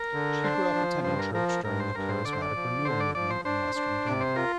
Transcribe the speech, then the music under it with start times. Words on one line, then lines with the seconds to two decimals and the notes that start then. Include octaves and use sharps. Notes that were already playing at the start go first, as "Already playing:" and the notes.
She grew up attending church during the charismatic renewal movement in Western Canada.
Already playing: A#4
0.13 D3
0.43 D4 C5
0.74 F3
1.03 G2 C5
1.19 A#4
1.34 F3 A#4
1.49 A#4
1.64 G2 A#4
1.80 C5
1.95 G2 A#4
2.09 C5
2.25 D3 D5
2.33 C5
2.42 D5
2.56 F3
2.85 D3 C5
3.00 D5
3.15 F3 D5
3.31 C5
3.45 D4 C5
3.75 D4
4.07 C3 D5
4.21 C5
4.36 F4 A#4